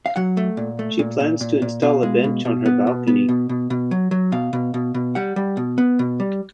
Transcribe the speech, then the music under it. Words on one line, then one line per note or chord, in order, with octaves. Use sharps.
She plans to install a bench on her balcony.
F5
F#3 F#5
A3
A#2
A3
A#2
A#2
A#2
A#2
B2 F5
G#3
B2
B2
B3
B2
B3
B2
B2
B2
F#3
F#3
B2 F5
B2
B2
B2
G3 F#5
G3
B2
B3
B2
G3